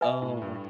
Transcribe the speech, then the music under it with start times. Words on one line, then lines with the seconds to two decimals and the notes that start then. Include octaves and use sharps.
Oh we're g
0.01 B4 E5 G#5
0.22 A2
0.42 G2